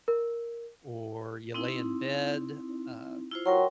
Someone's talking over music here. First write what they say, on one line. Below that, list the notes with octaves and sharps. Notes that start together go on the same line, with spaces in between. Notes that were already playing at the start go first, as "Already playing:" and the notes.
or you lay in bed, uh,
A#4
C4 D#4 E4
E4 F4 C5
F#3 A#4 G5 C6